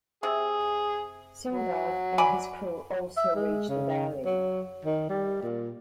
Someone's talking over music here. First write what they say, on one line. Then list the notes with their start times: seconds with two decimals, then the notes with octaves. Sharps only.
Sinbad and his crew also reach the valley.
0.23 C3 G#4
1.51 F#3
2.18 D5 G#5 B5
3.17 E5
3.35 G#3
3.69 C#3
4.26 F#3
4.85 D#3
5.09 G3
5.43 A#2